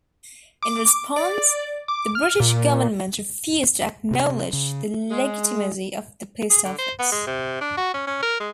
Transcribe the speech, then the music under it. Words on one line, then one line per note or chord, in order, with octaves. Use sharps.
In response, the British government refused to acknowledge the legitimacy of the post office.
D6
D5
D6
F6
A#2
C3
C#3
G#3
G#4
D3
C5
B3
G#3
C3
D4
F#4
C#4
C#4
A#4
G#3